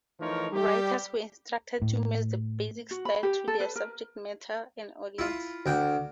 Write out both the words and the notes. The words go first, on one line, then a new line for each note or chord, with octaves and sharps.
Writers were instructed to match the basic style to their subject matter and audience.
E3 F3 A3 D#4 A#4 C#5
G3 G4
A2
F#4
B5
G4
A4
B4
A#4
E4 F4
D2 G5